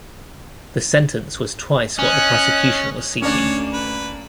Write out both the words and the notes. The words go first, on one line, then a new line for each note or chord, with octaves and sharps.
The sentence was twice what the prosecution was seeking.
C#4 D#5 F#6
D2 A#3 C#4 D4 C#5
B4